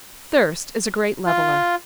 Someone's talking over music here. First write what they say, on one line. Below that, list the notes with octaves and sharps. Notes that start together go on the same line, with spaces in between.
Thirst is a great leveller.
F4